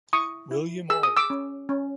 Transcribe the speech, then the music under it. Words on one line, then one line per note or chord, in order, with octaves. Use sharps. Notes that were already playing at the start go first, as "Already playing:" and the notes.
William Auld.
E4 C#6 D#6
E4
G#4 E6
D#6
D6 E6
C#4
C#4